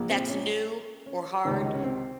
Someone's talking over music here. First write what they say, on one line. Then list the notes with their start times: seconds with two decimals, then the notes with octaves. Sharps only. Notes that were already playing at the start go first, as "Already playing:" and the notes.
"that's new or hard,
Already playing: A#1 A#2
0.10 C4
0.29 C#4
1.06 C#4
1.45 C#2 C3 D#3 C4
1.54 C#4
1.64 D#4
1.74 C#4
1.84 C4